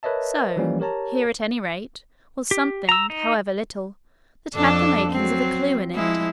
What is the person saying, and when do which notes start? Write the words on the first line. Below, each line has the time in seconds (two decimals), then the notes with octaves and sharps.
So--here, at any rate, was something, however little, that had the makings of a clue in it.
0.03 A#4 B4 C#5 D#5 E5 A5
0.56 E3 F3 G3 A#3 C#4
0.80 G4 A#4 C#5 A5 A#5
2.51 G4
2.89 A#5 E6
3.10 D#4
4.54 F2 D4 A4
5.11 F#3 C4
5.95 F3 G#3 E4